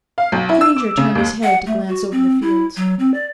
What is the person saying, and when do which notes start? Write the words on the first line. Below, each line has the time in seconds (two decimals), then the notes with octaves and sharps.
The stranger turned his head to glance over the fields.
0.18 F5
0.32 B1
0.49 E4
0.61 E6
0.77 D6
0.97 C#3
1.15 D#2
1.43 F#5
1.66 A3
1.88 F#4
2.11 C4
2.42 E4
2.77 F#3
2.99 C4
3.14 D5